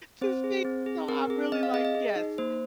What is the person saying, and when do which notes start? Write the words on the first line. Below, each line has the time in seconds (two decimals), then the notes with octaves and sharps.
to see so I really like yes,
0.21 C4 C5
0.44 G#4
0.65 C4
0.86 G#4
1.08 C4 A#4
1.30 G#4
1.52 C4 D#5
1.63 F5
1.74 G#4 D#5
1.85 D#5
1.95 G#4
2.16 D#4
2.38 A#3 C5